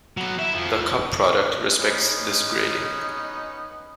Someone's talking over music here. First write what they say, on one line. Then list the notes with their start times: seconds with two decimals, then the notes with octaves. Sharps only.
The cup product respects this grading.
0.17 F#3 B3
0.39 E4 E5
0.54 F2 F3
1.79 B3 C#4 D#4